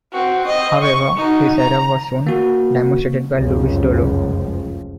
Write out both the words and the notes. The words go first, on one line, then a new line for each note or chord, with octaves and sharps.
However, his error was soon demonstrated by Louis Dollo.
C4 F#4
C4 D#5
C#6
D#4 F#4
A#5
A#3 F#4
F1 C#2 F#2 C#3 F3